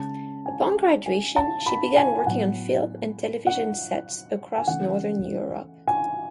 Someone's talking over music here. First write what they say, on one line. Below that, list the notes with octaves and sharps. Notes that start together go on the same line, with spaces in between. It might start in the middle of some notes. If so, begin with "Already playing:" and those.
Upon graduation she began working on film and television sets across northern Europe.
Already playing: C#3 G#3 C#4 A5
G#5
G#5
A5
B5
G#5
G#5
A2 F#3 B3 F#5
F#5
G#5
C#3 E3 A3 F#5
G#5